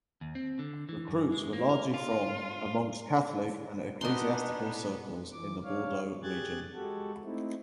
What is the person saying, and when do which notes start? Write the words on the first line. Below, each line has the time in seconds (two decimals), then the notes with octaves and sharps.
Recruits were largely from amongst Catholic and ecclesiastical circles in the Bordeaux region.
0.21 D#2
0.35 C4
0.59 D3
0.89 E3
1.08 F#2
1.32 G#3
1.53 A#3
1.69 A#4
1.94 F4
4.01 B2 G#3 B3 D4 D#4 D#5 C6
5.32 E3 D6
5.64 D4 C#5 F5
6.23 G4 G#4 F#6 G#6 A6
6.74 G#3 F#4 G4 A4
7.23 A3 C4 D#4 E4